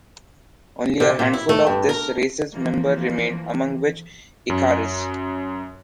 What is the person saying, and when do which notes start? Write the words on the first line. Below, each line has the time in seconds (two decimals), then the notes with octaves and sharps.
Only a handful of this race’s members remained, among which Ikaris.
1.00 C3
1.19 A#2
1.33 E4
1.49 A3
1.67 G2
1.89 A#4
2.54 E3 F3 A#3
4.50 F#2